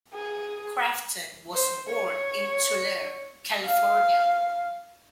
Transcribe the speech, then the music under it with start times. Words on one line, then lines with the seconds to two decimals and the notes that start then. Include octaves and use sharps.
Crafton was born in Tulare, California.
0.14 G#4
1.54 C5
1.89 C#5
3.65 F5